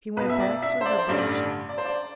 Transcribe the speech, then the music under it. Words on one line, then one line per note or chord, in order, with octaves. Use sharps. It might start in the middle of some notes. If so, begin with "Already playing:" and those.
She went back to her bed-chamber.
B1 B2 B4
E5
D5
E5
C5
D5
C5
A1 G2 D3 D5
D5
C5
D5